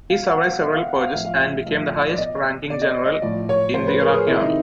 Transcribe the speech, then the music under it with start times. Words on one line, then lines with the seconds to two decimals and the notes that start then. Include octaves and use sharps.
He survived several purges and became the highest-ranking general in the Iraqi Army.
0.09 B2 F5
0.27 F#5
0.45 F5
0.61 B2 E5
0.74 F5
0.88 F#5
1.01 F5
1.14 A2 F3 E5
1.25 F5
1.37 E5
1.65 A2 F3 E5
2.10 D5
2.18 B2 D#5
2.70 B2 D5
2.82 D#5
2.87 D5
3.06 D#5
3.22 A2 F3 D5
3.49 C#5
3.74 A2 F3 C5
3.87 B4
4.00 A#4
4.13 G#4
4.26 C3 D#3 E4
4.42 D#4